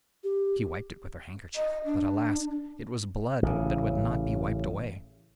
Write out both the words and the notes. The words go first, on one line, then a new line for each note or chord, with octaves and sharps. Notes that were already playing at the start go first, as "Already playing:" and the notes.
She wiped it with her handkerchief, but alas! it was blood that would not be wiped away.
G4
D#5
D4
A1 C#3